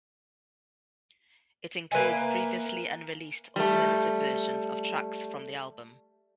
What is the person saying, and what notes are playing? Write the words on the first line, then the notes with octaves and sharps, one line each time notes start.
It includes previously unreleased alternative versions of tracks from the album.
A#3 B4 E5 G#5
G3 A3